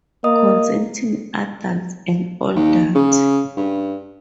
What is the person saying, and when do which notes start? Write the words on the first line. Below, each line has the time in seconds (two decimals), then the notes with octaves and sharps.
Consenting adults and all that.
0.24 A#3 D#5 D#6
2.56 D#2
2.95 C#3
3.57 G2